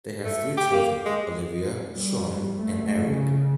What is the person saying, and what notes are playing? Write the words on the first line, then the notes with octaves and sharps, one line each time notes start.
They have three children, Olivia, Sean and Eric.
A3
G4
A#3
G#3
G3
A3
C#3